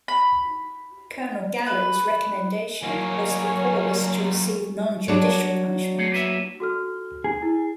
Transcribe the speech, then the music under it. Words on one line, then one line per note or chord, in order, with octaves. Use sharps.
Colonel Gallo's recommendation was for Paulus to receive non-judicial punishment.
B5
B4
F#3 A#3 A#4 C#5 G#5
F#3 D4
A3 G#4
A#3 B4 E5
F#4 A4 F6
G#4
E4